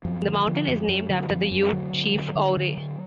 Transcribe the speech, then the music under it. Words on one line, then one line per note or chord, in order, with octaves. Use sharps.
The mountain is named after the Ute Chief Ouray.
F#2 F3
D3
D3 F3
F#2
F#2 F#3
D3 F#3
F#2 F3
F#2 F#3
D3 F#3
D3
D3
D3
D3
D3